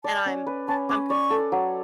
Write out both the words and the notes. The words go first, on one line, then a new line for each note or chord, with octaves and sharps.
and I'm I'm confused.
D5 A5
C#4
B4
C#4 A5
C#4 D6
D5 C#6
A4
F#3